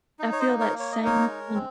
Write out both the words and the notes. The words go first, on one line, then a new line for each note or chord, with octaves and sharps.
I feel that same thin
D#4
C#5
C5 D#5
A#3
A#4 C#5
A#3
C#5
D#5
D#4 A#4 C#5
G#3
C4